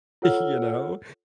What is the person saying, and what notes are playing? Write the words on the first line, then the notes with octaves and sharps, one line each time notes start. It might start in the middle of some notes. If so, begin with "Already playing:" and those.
you know?
F4 A4 C#5 F#5 E6 F6